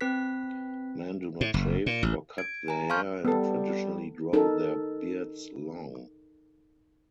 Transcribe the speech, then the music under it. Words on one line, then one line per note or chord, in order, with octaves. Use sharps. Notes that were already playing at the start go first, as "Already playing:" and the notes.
Men do not shave or cut their hair and traditionally grow their beards long.
C4 B4 B6
A2
F#1
A#2
A1
G#6 D7
G#5 A#5
F5 A5 C6 C#6 F6 G6
G3 B3 A4
D#4 A4 A#4